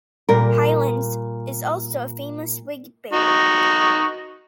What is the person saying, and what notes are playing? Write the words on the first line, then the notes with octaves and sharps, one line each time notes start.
Heylens is also a famous wig bearer.
A#2 G3 A#4
D#4 F#4